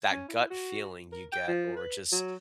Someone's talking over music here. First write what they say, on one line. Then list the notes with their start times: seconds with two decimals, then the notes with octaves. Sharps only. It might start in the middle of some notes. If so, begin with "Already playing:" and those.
that gut feeling you get or just
0.11 C#4
0.28 E4
0.50 F#4
1.12 A#4
1.32 G5
1.48 F3
1.76 B4
2.12 F#3